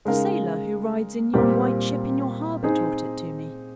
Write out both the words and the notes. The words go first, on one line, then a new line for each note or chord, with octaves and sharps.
"The sailor who rides in yon white ship in your harbor taught it to me."
C#3 G#3 D#4 A#4 F5
A#2 G3 C4 G4 A#4
C4 D#4 G#4